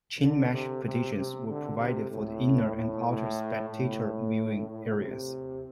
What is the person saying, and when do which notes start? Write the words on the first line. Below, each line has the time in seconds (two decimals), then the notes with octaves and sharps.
Chain mesh partitions were provided for the "inner" and "outer" spectator viewing areas.
0.20 D3
0.52 C3
0.84 C3
1.15 C3
1.48 D3
1.79 C3
2.11 A2
2.75 A2
3.06 A2
3.69 A2
4.98 C3